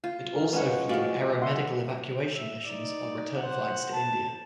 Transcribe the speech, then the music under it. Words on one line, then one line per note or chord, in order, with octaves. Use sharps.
It also flew aeromedical evacuation missions on return flights to India.
F4
A#4
F3 G#3 C#4 B4 F#5
G#3 F#4 D5 F5
E5 F#5 C6
E5
D#4 D5
C5 F#5
A5